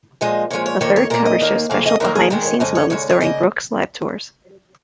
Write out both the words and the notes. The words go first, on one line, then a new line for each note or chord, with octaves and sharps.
A third cover shows special "behind the scenes" moments during Brooks' live tours.
A#2 F3 G#3 D#5
A#2 F3 G#3 C#5
C#5
F2 D#3 A#3 C#5
C#5
A#2 A#3 A#4
D#5
D#2 D#3 A#3
F2 C#3 A#3 F5
D#5
D#2 D#3 A#3 A#4
G#4
D#2 D#3 G#3 A#4
C#5
F2 C#3 G#3 D#5
C#5
D#2 C#3 G#3 C#5
C#5
C#3 A#3 D#5